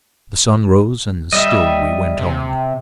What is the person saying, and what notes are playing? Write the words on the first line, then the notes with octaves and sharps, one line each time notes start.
The sun rose and still we went on.
G3 D#5 E5
C3